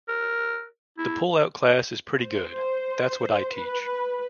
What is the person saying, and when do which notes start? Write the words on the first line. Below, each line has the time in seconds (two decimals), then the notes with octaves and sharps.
The pullout class is pretty good, that’s what I teach.
0.08 A#4
0.98 E4
2.22 C5
3.57 B4